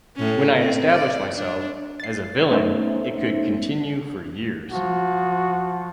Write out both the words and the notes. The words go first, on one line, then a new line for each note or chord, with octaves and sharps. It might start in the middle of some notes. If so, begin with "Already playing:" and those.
When I established myself as a villain it could continue for years.
A2 C#4
C4
D5
D4
A6 C7
A3 B3 C#4 D#4 C5 E5
F3 F#4